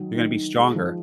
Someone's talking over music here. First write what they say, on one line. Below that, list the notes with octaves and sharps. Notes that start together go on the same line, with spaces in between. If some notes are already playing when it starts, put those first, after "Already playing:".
you're gonna be stronger,
Already playing: D#3 F#3
D#3
D#3
G#3
F3